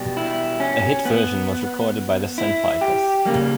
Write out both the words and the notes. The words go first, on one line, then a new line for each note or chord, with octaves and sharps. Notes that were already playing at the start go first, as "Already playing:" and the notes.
A hit version was recorded by The Sandpipers.
Already playing: B2 G3
E4
C#4
B3
E4
G4
C#3 G3 A#3